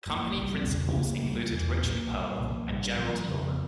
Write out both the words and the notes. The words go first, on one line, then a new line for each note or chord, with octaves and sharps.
Company principals included Richard Perle and Gerald Hillman.
G#1 G#2 E3 A#3
C2 C3 G3
E1 E2 C#3 G3
C#2 C#3 F3 A#3
C#2 C3 G3 A#3
E1 E2 E3
C2 A#2 G3 A#3
C2 A#2 G3
C2 C3 F3 A#3
A#1 G#2 G3
G1 G2 F3 C4
F1 F2 C#3 F3